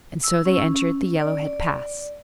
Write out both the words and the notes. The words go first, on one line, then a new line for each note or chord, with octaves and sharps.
And so they entered the Yellowhead Pass.
E6
C#4
D5